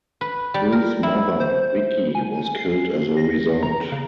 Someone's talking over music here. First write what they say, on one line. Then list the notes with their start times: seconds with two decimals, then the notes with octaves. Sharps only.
Hill's mother, Vicki, was killed as a result.
0.21 B4
0.54 G3
0.72 A#4
1.03 E4
1.40 C5
2.15 G#5
2.57 C7
3.17 A#6
3.63 A#5
3.92 C#3